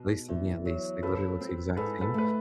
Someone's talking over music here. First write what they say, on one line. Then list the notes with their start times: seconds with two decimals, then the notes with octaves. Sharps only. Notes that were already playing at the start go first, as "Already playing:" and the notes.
at least to me at least, like literally looks the exact same,
Already playing: B2
0.28 E2
0.65 F#3
1.03 F3 A4 B4
1.41 C4
1.77 G#2 A4 B4
2.01 A4 B4
2.14 A3 B4